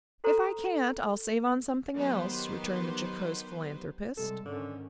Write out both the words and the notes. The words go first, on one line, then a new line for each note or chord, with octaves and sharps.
"If I can't, I'll save on something else," returned the jocose philanthropist.
F#4 A4 C5 A#5
D#3 F#3 B3 G4 B4 C5
C3 G3 G#3 A4
G#2 D3 D#3 C#4